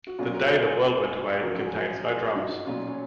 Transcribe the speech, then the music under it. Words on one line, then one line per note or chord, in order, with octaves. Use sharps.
"The Day the World Went Away" contains no drums.
F#4
B1 A#2 F#3 C#4 F4
F#4 A#4
F#4 A#4
F4 G#4
G#4
A#4
F4 G#4
G#1 F#2 C#3 F3 F#4 A#4
F#4
G#4
F#4 A#4
F4 G#4
D#4 F#4
B1 A#2 F#3 C#4 F4
C#4